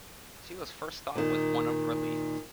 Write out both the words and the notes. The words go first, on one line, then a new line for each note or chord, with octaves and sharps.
Celia's first thought was one of relief.
A#2 D#3